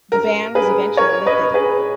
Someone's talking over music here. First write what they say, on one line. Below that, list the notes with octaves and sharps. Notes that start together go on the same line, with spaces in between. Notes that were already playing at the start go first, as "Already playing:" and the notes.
The ban was eventually lifted.
A#4
G#4 B4
A#4 C#5
B4 D#5
G#4 B4